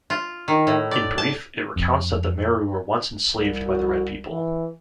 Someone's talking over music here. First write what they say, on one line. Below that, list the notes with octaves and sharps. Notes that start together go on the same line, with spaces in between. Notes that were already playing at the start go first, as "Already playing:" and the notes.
In brief, it recounts that the Meru were once enslaved by the Red People.
F4
D#3
A2
D5
A5
F2
C2
F#4
E3